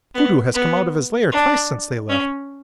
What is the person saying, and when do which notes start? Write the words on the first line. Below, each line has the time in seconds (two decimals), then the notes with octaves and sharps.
"Kudu has come out of his lair twice since they left."
0.15 B3
0.54 B3
1.32 D4
2.09 C#4